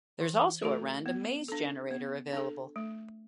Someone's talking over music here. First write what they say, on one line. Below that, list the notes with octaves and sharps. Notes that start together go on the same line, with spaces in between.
There's also a random maze generator available.
E3
A3 F#4 A4
B3
D4 A4
B3
D4 A4
A3